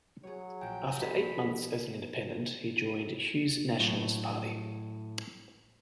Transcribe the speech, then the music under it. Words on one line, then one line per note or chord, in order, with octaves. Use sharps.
After eight months as an independent, he joined Hughes' Nationalist Party.
F#3 G#4 C#5
A#1 G5 G#5
F#4 G4 A4 B5
A2 F#3